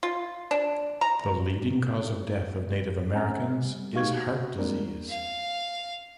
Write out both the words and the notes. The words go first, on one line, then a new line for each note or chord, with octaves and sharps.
The leading cause of death of Native Americans is heart disease.
F4
D4
A#5
C4 C#4 F#5 G#5 A#5
C4
G3
A3 D#4 G4 F5 C#6 G#6
F#4
G3 G#3 A#3 C4 D4 A#4
F5